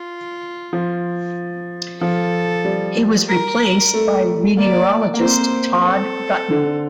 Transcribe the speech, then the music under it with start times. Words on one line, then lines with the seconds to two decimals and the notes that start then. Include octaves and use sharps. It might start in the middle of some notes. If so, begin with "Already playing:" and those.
He was replaced by meteorologist Todd Gutner.
Already playing: F4
0.73 F3
2.01 F3 A4
2.65 G3
3.28 A#4
3.93 A3
4.57 A#3 D5
5.14 A#3
5.21 C4 C5
5.85 A4
6.50 D3
6.65 D3